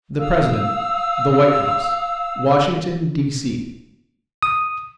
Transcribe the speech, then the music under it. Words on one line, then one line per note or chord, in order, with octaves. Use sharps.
The President, The White House, Washington, D. C.
F5 D#6 E6
D#6